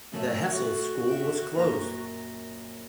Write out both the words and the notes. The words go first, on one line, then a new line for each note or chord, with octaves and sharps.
The Hessel School was closed.
F#2 C#3 F3 A3
A3 F#4
E5 G5
F#2 A#2 A#5